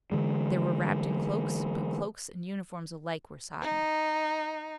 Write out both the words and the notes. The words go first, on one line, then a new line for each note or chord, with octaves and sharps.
They were wrapped in cloaks, but cloaks and uniforms alike were sodden.
D3 E3 G#3
D#4